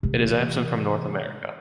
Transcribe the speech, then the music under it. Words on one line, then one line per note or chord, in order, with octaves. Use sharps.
It is absent from North America.
C3 E3